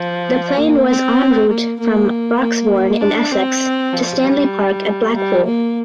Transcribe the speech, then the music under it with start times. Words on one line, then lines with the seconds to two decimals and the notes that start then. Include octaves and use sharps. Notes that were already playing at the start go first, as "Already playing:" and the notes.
The plane was en route from Broxbourne in Essex to Stanley Park at Blackpool.
Already playing: F3
0.57 A#3
0.88 C4
1.49 A#3
1.79 A#3
2.41 A#3
3.01 D4
3.32 C4
3.93 F3
4.23 G3
5.15 G3
5.46 A#3